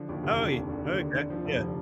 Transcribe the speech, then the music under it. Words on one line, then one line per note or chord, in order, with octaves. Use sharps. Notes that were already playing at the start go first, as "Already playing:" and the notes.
Oh, ye Okay, yeah.
Already playing: D3 F3
D#2
F1
D3
F1
D3
D#2
D3
D3
F3
F1
F3